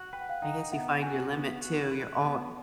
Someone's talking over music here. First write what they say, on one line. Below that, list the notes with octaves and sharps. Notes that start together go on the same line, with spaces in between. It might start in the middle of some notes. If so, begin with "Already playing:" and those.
I guess you find your limit, too, you're all
Already playing: F#4 F#5
B4 G5
F#5
F5 G5
D#4 F5 G5
B3 E5 F#5
F#4 F#5 G#5
B3
F#4
B4
B3